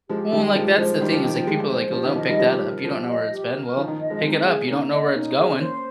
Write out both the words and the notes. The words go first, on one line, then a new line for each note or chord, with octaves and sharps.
Well, like, that's the thing is like people like, "Well, don't pick that up, you don't know where it's been." well, pick it up, you don't know where it's going.
F3 G#3 G4
D#3 G3 G5
F3 G#3 G4
F3 G#3 C5
D#3 G3 G4
F3
D#3 G5
F3
F3 G#3 G4
C5
F3 G4
D#3
F3 D#5
D#3 G3
F3 G4
A#4
F3 G4
D#5
G4
A#4
F3 D#4
D#3
D#5
F3 G#3
G#3 C4 D#4
G#4
A#3 C#4 D#4
D#5
A#3 C#4 D#4
G#4
A#3 C#4 C5